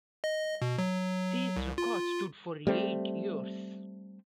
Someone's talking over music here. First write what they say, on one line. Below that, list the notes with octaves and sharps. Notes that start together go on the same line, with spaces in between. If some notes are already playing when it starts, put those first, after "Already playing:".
These records stood for eight years.
D#5
B2
F#3
C2
F4
G3 A3 C4